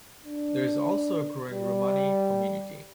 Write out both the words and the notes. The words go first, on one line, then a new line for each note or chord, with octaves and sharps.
There is also a growing Romani community.
D4
G3